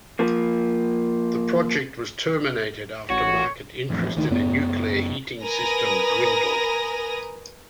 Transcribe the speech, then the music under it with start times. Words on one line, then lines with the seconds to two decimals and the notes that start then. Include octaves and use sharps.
The project was terminated after market interest in a nuclear heating system dwindled.
0.19 F3 A#3
3.10 A1 F#4 C#5
3.90 A1 F2
4.17 D2 D#3
4.29 F#1 F#2 B3
5.43 A#4 B4 G#5 A#5 D#6 A#6